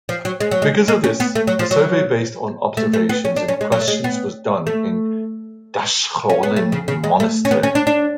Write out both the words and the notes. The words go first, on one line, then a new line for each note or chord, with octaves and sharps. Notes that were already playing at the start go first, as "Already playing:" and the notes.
Because of this, the survey based on observation and questions was done in Dashchoilin Monestry.
F3
F#3
G#3
F#3
G#3
G#3
C#4
B3
A3
F#3
F3
F#3
A3
A3
B3
C#4
D4
C#4
G#3
F#3
A3
G#3
B3
A3
C#4
B3
A3
C#3
C#3
G#3
A3
C#4
B3
C#4
D4
D4